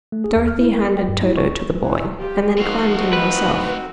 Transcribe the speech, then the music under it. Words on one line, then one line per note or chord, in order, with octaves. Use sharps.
Dorothy handed Toto to the boy and then climbed in herself.
A3
G#4
D#2
F6
E4
A#4
G5
G2
E4
C#6
G2 E3
F4 G4
F3 A3 C4 D#4 F#4 A#4 F5
B4